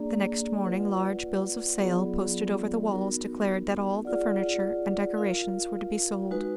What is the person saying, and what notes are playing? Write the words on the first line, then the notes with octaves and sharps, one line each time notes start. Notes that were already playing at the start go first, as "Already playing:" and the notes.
The next morning large bills of sale, posted over the walls, declared that all the furniture and decorations-were to be sold.
Already playing: A#3 D4 G#4 D5
F4 B4 D5 F#5
F#3 B3 F4 G#4 D5
B3 D#4 F#4 A#4
F4 G#4 D5 F#5
F4 A#4 F5
G#3 D#4 F#4 B4